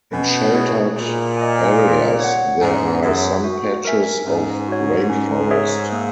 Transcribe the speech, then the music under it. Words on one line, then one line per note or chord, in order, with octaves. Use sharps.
In sheltered areas there are some patches of rainforest.
B2 C#4
E4 G#4 C#5
A#2 G#4
D#5 G#5
G#4
C#5 F#5
G#2 C#4
F#2 G#4 C#5 E5
F#4
A#4 E5 G#5
G#2 C#4
F#4 C#5
C#4
G#4 C#5 E5
A#3